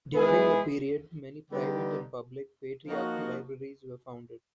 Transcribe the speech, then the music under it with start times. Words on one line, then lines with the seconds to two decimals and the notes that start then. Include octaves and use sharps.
During the period, many private and public patriarchal libraries were founded.
0.13 E3 G#3 B3 E4 G#4
1.50 D3 G3 B3 D#4 G4
2.88 F3 A#3 D#4 F#4